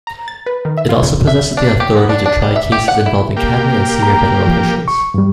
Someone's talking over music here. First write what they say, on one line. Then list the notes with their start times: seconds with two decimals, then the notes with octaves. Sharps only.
It also possesses the authority to try cases involving cabinet and senior federal officials.
0.07 A#5
0.28 A6
0.46 B4
0.65 D#3
0.77 E5
0.89 F4
1.03 C#3
1.27 E5
1.57 D4
1.80 G4
1.96 B3
2.09 D4
2.26 D4
2.42 G3
2.56 E5
2.72 G4
2.88 F#5
3.06 E4
3.37 A#3 G4
4.03 A#5
4.47 F3
4.88 C#6
5.14 G2 G3